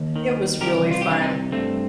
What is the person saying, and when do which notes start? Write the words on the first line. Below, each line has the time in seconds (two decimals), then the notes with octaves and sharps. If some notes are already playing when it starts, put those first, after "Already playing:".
It was really fun.
Already playing: D#2
0.16 D#3
0.61 C2 G4 A#4
0.91 F4
1.01 G4
1.07 C3 D4 F4
1.21 C4 D#4
1.52 G2 A3 C4